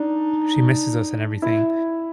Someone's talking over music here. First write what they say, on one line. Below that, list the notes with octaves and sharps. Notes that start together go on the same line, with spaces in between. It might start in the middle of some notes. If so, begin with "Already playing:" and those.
she misses us and everything.
Already playing: D4 D#4
E4